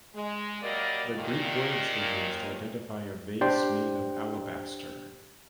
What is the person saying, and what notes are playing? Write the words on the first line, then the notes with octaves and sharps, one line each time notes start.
The Greek words were used to identify a vase made of alabaster.
G#3
F#3 G3 A#3 A#4 D5 D#5
D#2 A#2 D#3
D4 G4 C5 D5 G5 C6